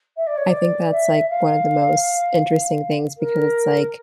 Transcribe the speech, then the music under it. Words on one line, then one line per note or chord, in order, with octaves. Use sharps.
I think that's, like, one of the most interesting things because it's, like,
E5
D5
C#5
D5
E5
F5
A#4